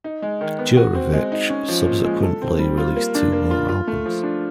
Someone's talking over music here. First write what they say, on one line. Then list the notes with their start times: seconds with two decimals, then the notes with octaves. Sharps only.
Juravich subsequently released two more albums.
0.04 D#4
0.22 G#3
0.41 D#3
0.59 B3
0.77 F#4
0.95 C4
1.13 G#3
1.32 D#4
1.49 C#4
1.68 F3
1.86 A#2
2.05 G#3
2.23 A4
2.42 C4
2.59 G3
2.78 F4
2.96 A#3
3.15 D4
3.32 A#3
3.51 F4
3.69 F4
3.87 A3
4.06 F3
4.23 D4